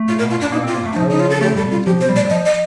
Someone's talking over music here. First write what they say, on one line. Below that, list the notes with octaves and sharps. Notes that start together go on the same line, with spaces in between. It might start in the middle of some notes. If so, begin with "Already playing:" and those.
The lad, however, heard or heeded them not.
Already playing: A3
F4
A#4
F4
D4
A#3 D#4
C4
F4
A#3
A3
D4
F3 D#4
D#4
F4
A4
A3 G4
G3 A4
G3 F4
F3 G4
C5
G3
D5
F3 D#5
D#5